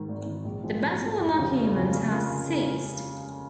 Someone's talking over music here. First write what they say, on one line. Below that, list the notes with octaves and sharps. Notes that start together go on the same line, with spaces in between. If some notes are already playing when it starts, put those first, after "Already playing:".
The battle among humans has ceased.
Already playing: G#2 D#3
G#1
G#2 D#3
A#1
G#2 F3 G#3
A#1
G#2 F3 G#3
F1
D#2 C#3 F3
F1
D#2 C#3 F3
C#3
G#3 F4 A#4
C#3
G#3 F4 A#4